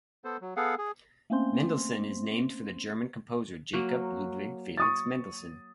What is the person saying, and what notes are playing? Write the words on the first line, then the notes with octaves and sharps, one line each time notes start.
Mendelssohn is named for the German composer Jakob Ludwig Felix Mendelssohn.
B3 A4 C5
F#3
B3 G#4 A4 F5 F#5
G#4
A3 A#3 C4 C#4 C5 C6
F#3 A#3
C#6 D#6 A6